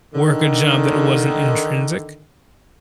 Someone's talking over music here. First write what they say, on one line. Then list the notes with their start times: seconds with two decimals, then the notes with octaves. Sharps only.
work a job that wasn't intrinsic,
0.14 D3 D#3